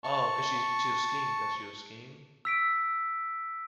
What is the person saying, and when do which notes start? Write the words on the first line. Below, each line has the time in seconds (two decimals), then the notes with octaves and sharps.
Oh, 'cause she's she was skiing 'cause she was skiing?
0.04 A5 C#6
2.45 E6 B6 D7